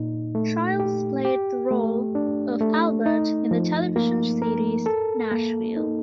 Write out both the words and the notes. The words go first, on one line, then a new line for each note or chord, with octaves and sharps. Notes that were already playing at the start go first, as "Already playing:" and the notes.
Childs played the role of Albert in the television series "Nashville".
Already playing: A#2 D#4
A3
G4
G4
A3
D4
A3
D#4
F3
A#3
A#4
A4
A#3
D#4